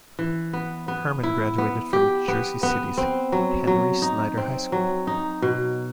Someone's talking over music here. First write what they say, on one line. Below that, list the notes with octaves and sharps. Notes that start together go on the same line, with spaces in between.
Herman graduated from Jersey City's Henry Snyder High School.
E3
B3
B3
E4
B3
G4
B3
B3
C4
F#3
F#3
D#4
C4
F#3
D#4
B2